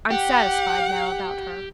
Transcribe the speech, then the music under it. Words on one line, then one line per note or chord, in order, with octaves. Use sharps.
I'm satisfied now, about her.
G4 F#5